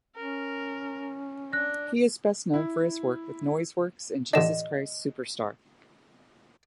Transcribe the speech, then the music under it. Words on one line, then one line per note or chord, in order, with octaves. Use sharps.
He is best known for his work with Noiseworks and Jesus Christ Superstar.
C#4 A#4
D4 F#6 A#6
E4
A1 D3 D4 D#5 E7